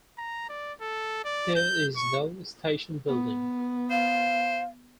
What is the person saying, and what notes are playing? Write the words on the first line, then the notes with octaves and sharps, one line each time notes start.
There is no station building.
A#5
D5
A4
D5
G6
C#6
B3
C5 F5